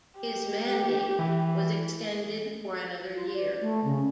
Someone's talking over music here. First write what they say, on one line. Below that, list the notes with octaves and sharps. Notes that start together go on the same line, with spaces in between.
His mandate was extended for another year.
G4
E3
F4
D5
A3
C#3